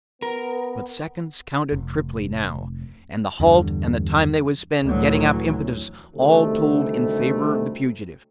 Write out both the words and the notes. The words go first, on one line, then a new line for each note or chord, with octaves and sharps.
But seconds counted triply now, and the halt and the time they would spend getting up impetus all told in favor of the fugitive.
B3 A#4
F1
E2 G2 D3
D2 A#2 E3 F#3
D2 C3 D#3 G3 A3